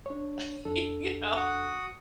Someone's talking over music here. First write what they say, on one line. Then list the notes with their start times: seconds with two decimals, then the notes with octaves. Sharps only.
Like, you know,
0.06 D4 C#5
0.65 F2 D4 A4
1.36 F#4 F#5 D#6